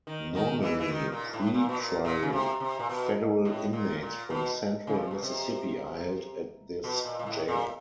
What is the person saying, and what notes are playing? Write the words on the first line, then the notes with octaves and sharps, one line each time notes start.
Normally pre-trial federal inmates from central Mississippi are held at this jail.
D#3
D#3
E3
E3
D#3
A#2
A2
A#2
B2
A#2
A#2
C#3
C3
C3
A#2
B2
A2
A#2
A#2
B2
C#3
C3
B2
C3
B2
A#2
A#2
A2
A#2